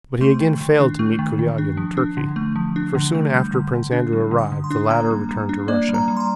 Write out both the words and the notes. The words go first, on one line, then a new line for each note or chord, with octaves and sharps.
But he again failed to meet Kuragin in Turkey, for soon after Prince Andrew arrived, the latter returned to Russia.
A3 C6
D#3
D#3
D4
A3
D#3
D#3
D4
F3
D4
D3
A3
F3
D4
D3
A3
G3 G6
D3
D3
D4
G3
D3
D#6
D3
C6
D4
A#3 A#5
G3
G3
D4
A#3 D5
G3
A#5
G3
C6
A#5